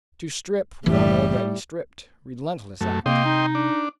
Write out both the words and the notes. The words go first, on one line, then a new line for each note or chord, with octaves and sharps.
To strip one already stripped--relentless act!
F#1 A2 E3 G3
F#2 A3
C3 A#3 D#5 G5 C6
D#4
D4